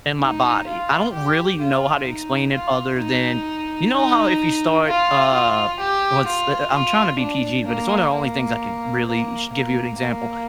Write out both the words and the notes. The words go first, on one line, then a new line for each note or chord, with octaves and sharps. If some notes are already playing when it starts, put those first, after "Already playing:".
in my body. I don't really know how to explain it other than you know, how if you start, uh, what's eh eh I'm tryna be PG, but it's one of the only things I could really should give you an example,
D#4
F4
G4
F4
D#4
F4
D#4
D#4
F4
F4
G4
F4
F4
D4
A#3
A#3
A#3
A#3
A#3